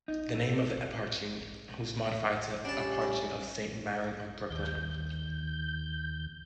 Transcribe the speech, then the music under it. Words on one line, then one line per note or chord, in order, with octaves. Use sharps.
The name of the Eparchy was modified to Eparchy of Saint Maron of Brooklyn.
D#4
A3
G3 C#4 D4 A5
D#2 G6